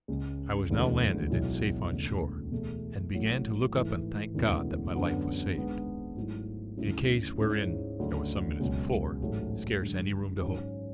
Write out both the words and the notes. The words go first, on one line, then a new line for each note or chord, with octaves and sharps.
I was now landed and safe on shore, and began to look up and thank God that my life was saved, in a case wherein there was some minutes before scarce any room to hope.
C#2 C#3 G#3
E1 D2 C#3 E3
B1 B2 F#3 B3 E4
E1 D2 C#3
E2 B2 A3
A1 A2 F#3 A3 E4
G#2 E3 A3
E1 D2 C#3 E3 B3
F#2 D3 F#3 B3
G#1 G#2 G#3 B3 D4
G#2 F#3 A3 E4
D2 C#3 F#3 C#4 E4
G#2 G#3 C#4 E4
D2 C#3 F#3
C#2 B2 F#3
A1 G#2 F#3 A3
F#2 D3 G#3
G#2 F#3 C#4